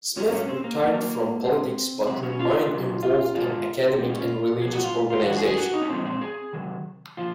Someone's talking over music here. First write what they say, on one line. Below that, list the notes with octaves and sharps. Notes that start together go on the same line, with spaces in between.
Smith retired from politics but remained involved in academic and religious organizations.
G#2 F#3 C#4
C#4
C4
A#3
F2 D#3 F#3 A#3
A#2 G#3 C4
C3 F#3 C4
C#4
F4
C3 F#3
F4
G#2 D#3 G#3 F4
C4
A#2 G#3 C4
C#4
F4
F2 C3 F#3 G#4
F#4
F4
F4
F2 C3 D#3 F#4
G#4
G#4
F#4
D#4
C#4
A#2 F3 G#3 C4
C4
G#4
C3 D#3 F#3
A#2 F3 F4